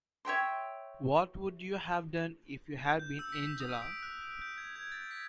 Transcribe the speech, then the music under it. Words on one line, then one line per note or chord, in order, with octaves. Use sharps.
What would you have done if you had been Angela?
C#5 E5 G5 C6
G6
E6
B6
D#6
D7
F#6
F#6
G6
G#6
G#6
A6
B6